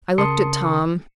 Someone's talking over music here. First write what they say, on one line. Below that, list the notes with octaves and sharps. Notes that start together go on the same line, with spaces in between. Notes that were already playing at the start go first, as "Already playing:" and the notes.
I looked at Tom.
C#3 A#4 A5 C6 D#6 C#7